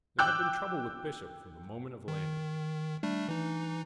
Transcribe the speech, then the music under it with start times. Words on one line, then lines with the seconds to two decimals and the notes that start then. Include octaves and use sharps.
There had been trouble with Bishop from the moment of landing.
0.19 G5 D6 E6 F#6 G6
2.08 D#3
3.03 G3 A3 D4
3.29 E3 D#4